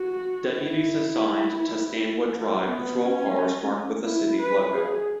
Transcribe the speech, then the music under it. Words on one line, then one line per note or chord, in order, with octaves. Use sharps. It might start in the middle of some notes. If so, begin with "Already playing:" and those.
Deputies assigned to Stanwood drive patrol cars marked with the city logo.
Already playing: F#4
E4
B3
C#4
E4
B4
G#4